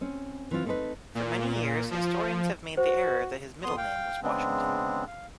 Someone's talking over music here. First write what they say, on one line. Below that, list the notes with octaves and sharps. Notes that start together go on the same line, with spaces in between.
For many years, historians have made the error that his middle name was Washington.
C4 C#4
E3 C4 F4
A3 C4 D#4 A4 B4
A#2
F3
F#4 C5
F2 B3 C6 D#6
F5 G5
C#3 G#3 B3 C4 D4
F5